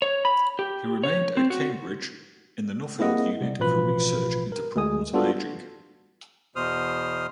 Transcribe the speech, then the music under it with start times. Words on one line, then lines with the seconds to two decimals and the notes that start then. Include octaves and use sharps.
He remained at Cambridge in the Nuffield Unit for Research into Problems of Ageing.
0.02 C#5
0.25 B5
0.59 G4
1.03 C#5
1.37 C4
1.50 F#4
2.99 A#3 C4 E4 G#4 D#5 F#5
3.41 C3 G3
3.59 A1 B2 F3 F4 B4 B5
4.52 A#4
4.76 D2 G#3 G#4 D#6
5.13 G3 B3 D4 F4 F#4 A4
6.56 E2 B2 C5 D#6 F6